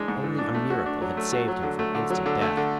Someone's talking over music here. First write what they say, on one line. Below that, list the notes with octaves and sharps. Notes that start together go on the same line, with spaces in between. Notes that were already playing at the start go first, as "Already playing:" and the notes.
Only a miracle had saved him from instant death.
Already playing: E3 G#3 D4
G#2
E3
D4
A3
F#4
D4
F#3
A3
F#4
F#3
D3
A3
D3
F#3
D3
A3
D3